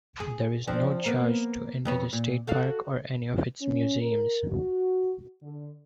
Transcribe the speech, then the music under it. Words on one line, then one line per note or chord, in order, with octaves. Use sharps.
There is no charge to enter the state park or any of its museums.
G#4
F3 C4 D4
A#3 B3
F2 B3 C#5
A#2
F#4 A4 F5
C#4
A#4
F#4
D3